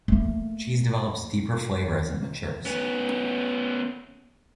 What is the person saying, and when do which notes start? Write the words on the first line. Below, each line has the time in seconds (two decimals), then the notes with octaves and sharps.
The cheese develops deeper flavours as it matures.
0.08 A3 A#3
2.65 B3 C#4